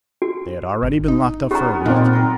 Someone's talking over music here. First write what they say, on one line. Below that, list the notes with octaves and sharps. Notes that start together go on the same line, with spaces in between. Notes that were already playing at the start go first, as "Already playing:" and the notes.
They had already been locked up for a week.
F#4
G#1
D#4
B3 C#4 G4 A#5
A#2 D#3 C4 D#4 F4 D5
F#3 A#4